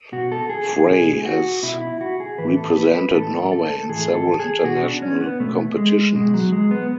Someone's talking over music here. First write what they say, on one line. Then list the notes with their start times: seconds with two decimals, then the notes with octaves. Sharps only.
Frey has represented Norway in several international competitions.
0.12 B2 F#4
0.32 A4
0.50 G#4
0.69 G#4
0.87 B2 G#4
1.25 F#4
1.63 B2 E4
1.81 E4
2.01 F#4
2.20 G#4
2.38 A2 E3 B4
2.57 A4
2.76 B4
2.95 B4
3.14 A2 E3 A4
3.52 A4
3.70 A4
3.89 A2 E3 G#4
4.14 A4
4.39 G#4
4.64 B2 F#4
4.83 D4
5.02 C#4
5.21 B3
5.40 B2 A3
5.77 G#3
6.15 B2 G#3
6.34 F#3
6.52 G#3
6.71 B3